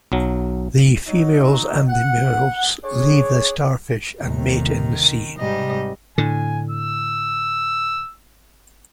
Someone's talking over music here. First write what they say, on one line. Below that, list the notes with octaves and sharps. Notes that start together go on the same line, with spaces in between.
The females and the males leave the starfish and mate in the sea.
B1 F#3
F#3 D#4
F#5
D4 G#4 C#5
G1 D#2 C3 D#3
G#2 C3 G3 D#5
A2 D3 G#5
E6